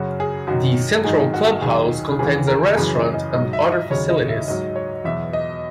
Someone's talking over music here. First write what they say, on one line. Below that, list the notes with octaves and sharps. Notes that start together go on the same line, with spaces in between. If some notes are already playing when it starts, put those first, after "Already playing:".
The central club house contains a restaurant and other facilities.
Already playing: F#2 C#3 F#3 F#4
G#4
F#2 D#3 F#3 F#4
G#2 D#3 F#3 G#4
F#4
D#2 D#3 F#3 G#4
D#2 C#3 E3 G#4
A#4
F#2 C#3 E3 G#4
D#5
D#5
G#2 F#3 D#5
E5
D#5
D#2 C#3 F#3 C#5
D#5
E5
G#2 F#3 D#5
C#5
E2 B2 F#3 E5
D#5